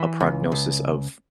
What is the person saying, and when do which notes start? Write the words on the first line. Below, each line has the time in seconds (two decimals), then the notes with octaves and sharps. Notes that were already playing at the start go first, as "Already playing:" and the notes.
a prognosis of
Already playing: E3 E5
0.20 C#2
0.52 C#2